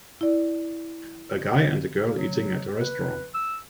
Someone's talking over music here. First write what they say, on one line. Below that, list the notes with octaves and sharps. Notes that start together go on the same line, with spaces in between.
A guy and a girl eating at a restaurant.
E4 D5
F#3
B4
E6